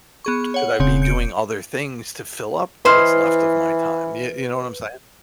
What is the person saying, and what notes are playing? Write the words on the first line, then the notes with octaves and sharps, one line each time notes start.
should I be doing other things to fill up what's left of my time? You you know what I'm saying?
B3 G#4 C#6
C#5 F#5
E1 C#3 C4 C#5
G6 C#7 D7
E3 E4 B4 C5 D#5 F6